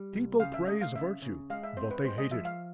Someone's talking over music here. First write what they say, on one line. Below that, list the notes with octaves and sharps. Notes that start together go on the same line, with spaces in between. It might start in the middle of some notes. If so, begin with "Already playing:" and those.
People praise virtue, but they hate it.
Already playing: G3
C2
C#3 F5
E5
A3 D#5
F5
C#3 E5
C#3
G#3 F5
E5
C4 C5
B4
G#3 C5
D#5
F3 E5
F5